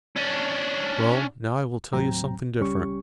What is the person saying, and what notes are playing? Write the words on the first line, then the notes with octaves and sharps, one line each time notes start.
Well, now I will tell you something different.
C#4 D4
D#2 A2 F#3 C4 G5 A#5
C#2 G3 C#4 G4 C#6